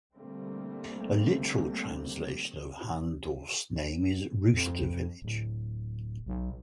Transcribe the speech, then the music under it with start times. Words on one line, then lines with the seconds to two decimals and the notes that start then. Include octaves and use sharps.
A literal translation of Hahndorf's name is "rooster-village".
0.14 B2 D3 G3 A3 A#3 C4
4.54 F2
5.22 D1
6.27 B1